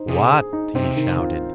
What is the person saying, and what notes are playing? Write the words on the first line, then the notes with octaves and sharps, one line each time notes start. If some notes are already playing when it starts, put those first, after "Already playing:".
"WHAT!" he shouted.
Already playing: D#4 C5
C3 G#4
G#4
D#4
C3 C4
D#3
F4